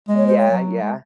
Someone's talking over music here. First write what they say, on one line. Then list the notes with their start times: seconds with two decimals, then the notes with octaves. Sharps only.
Yeah, yeah.
0.09 G#3 D#5
0.17 C#5
0.27 C5
0.37 C#5
0.51 F#3
0.82 G#3